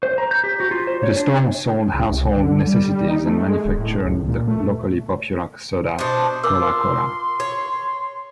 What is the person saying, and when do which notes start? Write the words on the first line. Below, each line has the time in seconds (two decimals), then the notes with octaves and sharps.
The store sold household necessities and manufactured the locally popular soda, Kohlah Cola.
0.03 C5
0.18 A#5
0.31 G6
0.44 G4
0.60 F#4
0.71 F4
0.87 C5
1.03 C#5
1.17 D4
1.94 C#2
2.09 C2
2.36 D3
2.67 G3
3.08 D#4
3.26 A3
3.48 G#3
3.65 D1
3.79 A2
4.05 C#2
4.28 A#2
4.48 A3
5.99 B2 D4 C5
6.43 F4 A#4 C6 D6 E6
7.40 C#5